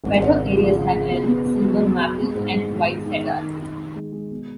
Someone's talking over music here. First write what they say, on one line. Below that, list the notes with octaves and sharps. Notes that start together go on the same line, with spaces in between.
Wetter areas have elm, silver maple and white cedar.
G#1
G#1
C#3
F3
C#3
C#3
B2
B3
B2
F#3
B3
B2
G#3
G#2
G#3
D#3
G#3
D#3
D#3
D#3
D#3
D#3
G#3
G#3
B2